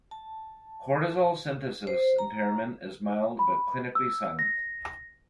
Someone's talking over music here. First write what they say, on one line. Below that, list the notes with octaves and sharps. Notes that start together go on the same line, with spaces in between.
Cortisol synthesis impairment is mild but clinically silent.
A5
C5
A#5
B5
E6
A#6